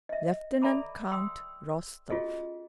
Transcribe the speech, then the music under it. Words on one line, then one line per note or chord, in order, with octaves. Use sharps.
"Lieutenant Count Rostov."
D#5 E5
A4 D5 E5 A#5 B5 D6
G5 C6 D#6 E6
C#4 F4 F#4 G#4 A4 D#5